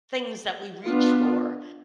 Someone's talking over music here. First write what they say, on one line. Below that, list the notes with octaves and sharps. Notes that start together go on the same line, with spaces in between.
things that we reach for,
B3 D4 F4